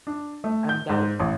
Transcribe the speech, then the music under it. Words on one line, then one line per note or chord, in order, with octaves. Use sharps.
And that
D4
A3
G6
G#2
A1